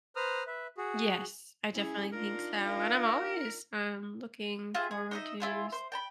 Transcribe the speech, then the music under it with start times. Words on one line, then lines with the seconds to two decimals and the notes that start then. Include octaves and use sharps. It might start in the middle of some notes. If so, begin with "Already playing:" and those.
Yes. I definitely think so, and I'm always, um, looking forward to s
0.16 B4 C5 A#5 D#6 F6
0.47 B4 E5
0.77 F#4 G#4
1.72 C#4 E4 G#4
2.12 D4 D#4 F4 A#4
2.67 A#4 F5
4.75 F4 G4 G#4 E5
4.91 G#4
5.11 D#4 D#5 E5
5.40 E4 F4 G#4
5.72 C5
5.92 G5 A5 B5